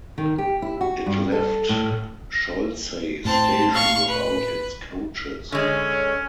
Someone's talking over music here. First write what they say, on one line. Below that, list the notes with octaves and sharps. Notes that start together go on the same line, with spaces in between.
It left Cholsey station without its coaches.
D#3
G4
E4
F#4
G2
A4
A2
A2 C4 A5
F5 C#6
B4
D3 G#3 C#4 C#5